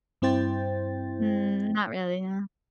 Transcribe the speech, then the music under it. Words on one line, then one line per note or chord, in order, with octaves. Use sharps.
Mm, not really, yeah.
G2 C4 E4 C5 G5 A6